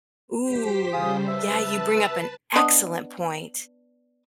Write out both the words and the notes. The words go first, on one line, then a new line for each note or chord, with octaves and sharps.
Ooh, yeah, you bring up an excellent point.
G4 C5 B6
C#3 G3 F4 G#4 C5 D#6
B4 E5 A5
B3 D4 D#5